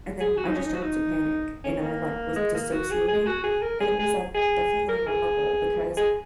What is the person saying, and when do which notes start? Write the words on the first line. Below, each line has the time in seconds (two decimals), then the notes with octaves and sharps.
and then I just started to panic and I, like, was dissociating and it was, like, definitely memorable because
0.20 G#4
0.37 F#4
0.47 D#4
0.55 C#4
0.64 D#4
0.74 F#4
0.83 D#4
1.64 C#4
1.82 A#3
2.36 G#3
2.54 A#3
2.73 F#4
2.91 G#4
3.08 G#4
3.26 F#4
3.44 G#4
3.62 A#4
3.80 G#4
3.99 G#4
4.35 G#4
4.89 A#4
5.07 G#4
5.97 G#4